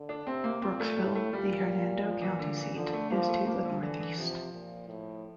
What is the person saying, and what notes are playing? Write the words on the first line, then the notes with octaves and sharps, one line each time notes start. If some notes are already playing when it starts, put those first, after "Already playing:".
Brooksville, the Hernando County seat, is to the northeast.
Already playing: D3
D4
C3 C4
A#3
A#2 C4
A3
A2 G3
A3
A#2 G3
F3
E3
D3
E3
D3 F3
A3
F3 A#3
A3
F3 A#3
D3
D3 E3
E3
C3 F3
A#2
A2